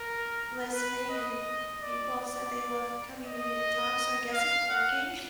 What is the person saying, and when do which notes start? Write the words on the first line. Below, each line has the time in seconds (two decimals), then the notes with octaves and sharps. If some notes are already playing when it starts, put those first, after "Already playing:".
listening, and people have said they love coming to me to talk, so I guess it's working.
Already playing: A#4
0.73 B4
1.09 D#5
1.81 D5
2.17 D5
3.25 D#5
4.33 F5
4.70 F#5